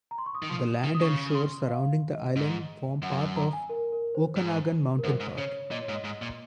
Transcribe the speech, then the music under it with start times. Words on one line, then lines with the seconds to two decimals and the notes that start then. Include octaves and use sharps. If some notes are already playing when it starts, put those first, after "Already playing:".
The land and shore surrounding the island form part of Okanagan Mountain Park.
0.11 A#5
0.18 C6
0.26 C#6
0.35 D#6
0.43 D#3
0.51 F3
0.84 D#3
0.95 D#6
1.01 C#3 C#6
1.35 C6
1.68 F5
2.13 D#5
2.36 G#2
3.02 F#2 F#5
3.36 A#5
3.53 G#5
3.70 A#4
3.93 A#4
4.15 C5
4.36 G#2
4.99 A#4
5.04 F#2 C5
5.20 G#2
5.37 C#3 C#5
5.71 A#2 D#5
5.82 C#5
5.89 G#2
5.94 D#5
6.04 G#2
6.22 A#2